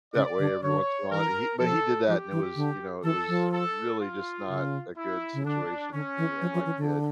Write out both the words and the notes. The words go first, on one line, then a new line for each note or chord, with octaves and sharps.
that way every once in while, but he but he did that, and it was you know, it was really just not a good situation for me and my kid.
C#3 D5
D3
D3 C#5
E3 A#4
F3 A4
F3 G4
E3
D3
E3 A4
F3
A4
F4
C#3
E4
C#3
D3 D4
D3 C#4
E3
F3
F3
E3
D3